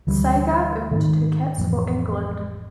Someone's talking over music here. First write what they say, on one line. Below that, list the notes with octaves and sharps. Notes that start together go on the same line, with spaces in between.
Sagar earned two caps for England.
D2 E3 G3
G#2 D#3
A1 F2 E3